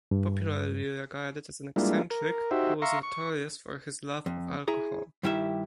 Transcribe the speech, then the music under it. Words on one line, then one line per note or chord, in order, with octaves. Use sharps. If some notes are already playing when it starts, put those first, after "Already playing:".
Popularly regarded as an eccentric, he was notorious for his love of alcohol.
G2
G3 G#3 A#3 D4 E4 F4
A#4
D#4 F#4 G4 C5 E5
E5 F5 A#5 C6 C#6
C#6
F2
E4 G#4 A#5
G2 D#3 G3 E4 G4 E5